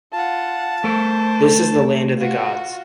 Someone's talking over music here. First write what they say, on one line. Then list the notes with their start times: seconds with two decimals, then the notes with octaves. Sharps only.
This is the land of the gods.
0.13 F4 F#5 A5
0.84 A3 A4 A#4 C5
2.17 F4 F#4